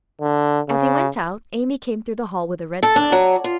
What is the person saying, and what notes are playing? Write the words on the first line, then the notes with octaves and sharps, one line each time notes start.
As he went out Amy came through the hall with a red sled.
D3
C#3
A4
D4
F#3
F4